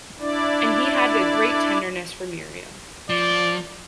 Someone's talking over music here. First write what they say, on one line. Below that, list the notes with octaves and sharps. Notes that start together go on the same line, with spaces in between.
And he had a great tenderness for Miriam.
D4 E4 D5
F3 D5